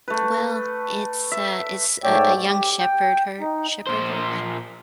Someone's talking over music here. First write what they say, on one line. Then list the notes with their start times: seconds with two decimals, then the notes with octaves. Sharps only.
well, it's a it's a a young shepherd her? Shepherder?
0.08 A3 B4
1.32 E5
2.04 G#2 A3 C#5 D5 G5 E6
2.48 G4
2.79 G5
3.40 D#4
3.87 A#2 C5